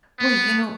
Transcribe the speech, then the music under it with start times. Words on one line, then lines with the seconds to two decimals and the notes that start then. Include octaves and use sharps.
Boy, you know
0.19 B3